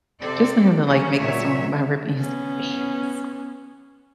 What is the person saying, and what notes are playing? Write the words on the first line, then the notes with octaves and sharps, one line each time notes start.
just for him to, like, make a song about ripping his pants,
C3 C4 A4 D5
A#3 C#4
A#2 F#3 C#5 E5
B3 C#4